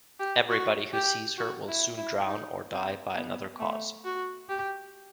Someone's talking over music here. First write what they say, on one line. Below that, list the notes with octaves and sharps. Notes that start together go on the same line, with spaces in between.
Everybody who sees her will soon drown or die by another cause.
G4
F#4
G4
F#4
E4
E4
D#4
C4
B3
A3
F#4
G4